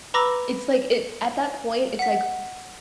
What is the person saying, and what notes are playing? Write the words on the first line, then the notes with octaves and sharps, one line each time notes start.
it's like it At that point, it's like,
B4 A#5 B5 D6 E6 A#6
F#5 B6